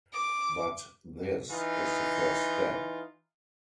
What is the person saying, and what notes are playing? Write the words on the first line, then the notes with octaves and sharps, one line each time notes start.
But this is the first step.
D6
E3 D#4 F4